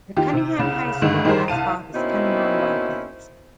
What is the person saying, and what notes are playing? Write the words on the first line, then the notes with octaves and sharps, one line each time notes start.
The Cunningham High School mascot is Cunningham Wildcats.
D#3 F4 G4
C3
C2 C#3
G2 D3 D#3 G#3
D#3 G3 D#4 G#4 A#4 C5
C2 F5 A5 D#7
B2 A#3 C4 C#4 D#4 E4